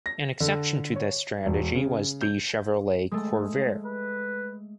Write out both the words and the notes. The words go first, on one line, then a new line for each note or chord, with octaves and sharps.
An exception to this strategy was the Chevrolet Corvair.
A#6
D3
C#5
E1
C#3
G6
G#3 A3
B4